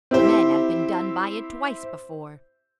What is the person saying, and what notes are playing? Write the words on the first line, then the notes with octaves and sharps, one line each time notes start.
The men have been done by it twice before.
C4 E4 G4 C5